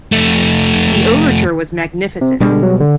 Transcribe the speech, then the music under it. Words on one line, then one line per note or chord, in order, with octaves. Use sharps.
The overture was magnificent.
F2 A3
C3
B2 D3 G3 G#3
F#3
D3